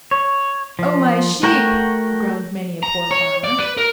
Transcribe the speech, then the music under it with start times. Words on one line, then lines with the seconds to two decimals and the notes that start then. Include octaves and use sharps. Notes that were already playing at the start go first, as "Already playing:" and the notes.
"Oh, my sheep!" groaned many a poor farmer.
0.11 C#5
0.79 F3
1.43 A3 F#4 A#4 F#5 G5
2.83 A#5
3.11 C#5
3.44 D5
3.59 B4
3.77 A#4